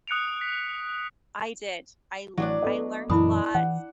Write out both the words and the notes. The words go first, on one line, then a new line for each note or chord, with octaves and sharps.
I did, I l I learned a lot,
D#6 F#6 C#7 D7 F7
B6
A1 F#3 D4 D5
B3 A4 D#5
F#2 A#2 E3 D4 E4 B5 D#6
E3 F#5